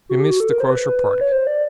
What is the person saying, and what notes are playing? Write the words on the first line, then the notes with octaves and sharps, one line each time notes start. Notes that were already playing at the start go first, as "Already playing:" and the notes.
We miss the Crozier Party.
F#4
G4
F#4
A4
A#4
C5
B4
C#5
C5
D5